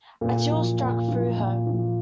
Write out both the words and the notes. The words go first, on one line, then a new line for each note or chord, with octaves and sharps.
A chill struck through her.
A#2 A#4
F3
A#2
F3
A#2
F3